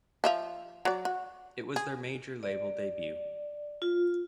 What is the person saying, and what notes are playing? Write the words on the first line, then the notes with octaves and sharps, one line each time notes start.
It was their major label debut.
F3 E5 F5
F#3 D5
F#4
G#4
D5
F4